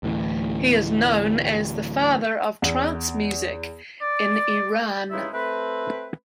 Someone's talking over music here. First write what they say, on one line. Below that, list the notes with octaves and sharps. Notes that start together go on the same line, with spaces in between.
He is known as the father of trance music in Iran.
D2 A2 E3
E2
D5
G2 C#3 G#3 D#4 E4 E5
A3 C4 B4